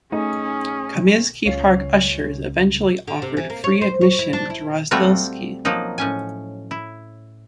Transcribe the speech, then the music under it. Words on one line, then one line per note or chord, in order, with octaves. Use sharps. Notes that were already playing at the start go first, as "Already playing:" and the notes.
Comiskey Park ushers eventually offered free admission to Rozdilsky.
A3 C#4 D#4 G#4
C#2 C#4 F4 C7
D3
C3
E3
A#3
C#5
C5
C#5
E4
D4
E4
G3 A3 C4 F4 F#4
F3 F#3 A#3 D#4
A2 C#4 G#5
E4